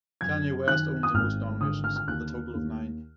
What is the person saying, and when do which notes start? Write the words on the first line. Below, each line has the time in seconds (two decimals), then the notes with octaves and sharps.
Kanye West owns the most nominations, with a total of nine.
0.21 F#2 G#6
0.67 D#3 F#6
1.03 D#6
1.14 G#1 F6
1.61 D3 D#6
1.84 F6
1.96 F6
2.07 D#2 F#6
2.55 D#2